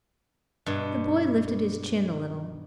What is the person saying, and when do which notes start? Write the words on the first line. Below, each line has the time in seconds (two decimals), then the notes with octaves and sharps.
The boy lifted his chin a little.
0.66 G2 B2